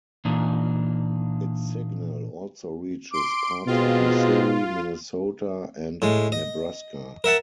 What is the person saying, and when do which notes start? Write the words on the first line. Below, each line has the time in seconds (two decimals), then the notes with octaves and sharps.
Its signal also reaches parts of Missouri, Minnesota and Nebraska.
0.25 A#2 E3 A#3 D4 D#4
3.13 C6 D6 D7
3.67 B2 G#3 C4 F4
6.02 A2 G#3
6.32 D#5
7.24 A#4 E5 F#5 A5